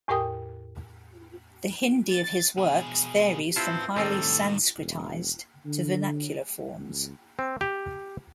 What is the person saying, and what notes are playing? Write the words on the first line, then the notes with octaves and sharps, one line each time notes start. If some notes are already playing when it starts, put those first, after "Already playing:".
The Hindi of his works varies from highly sanskritized to vernacular forms.
E2 A2 G4 A#4 G5 D#6
A6
B2 G#4
C4 E4 F4 B4 A5
A2 D#3 G3 C4 A4 D#5
E1
D3
C#2
C4
G4